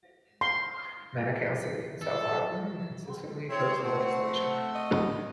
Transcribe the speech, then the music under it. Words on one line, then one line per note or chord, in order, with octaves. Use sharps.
Manukau City in South Auckland consistently opposed the legislation.
C6
A4
C4 E4 C#5
A3 C4 F#5
D#5